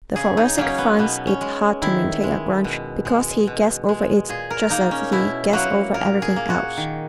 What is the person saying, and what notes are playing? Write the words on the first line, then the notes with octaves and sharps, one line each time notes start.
The Thoracic finds it hard to maintain a grudge because he gets over it just as he gets over everything else.
C#3 G#4
D#4
F#3 A#3 C#4
B3
B2 B3
C#4
G#3
D#3 E4
G#3
B2
G#3
B2
G#3
A#2 G#4
A#4
A#3 D#4
C#4
B2 E4
F#3 A#3 F#4
A#2 A#4
G#4
A#3
F#4
D#3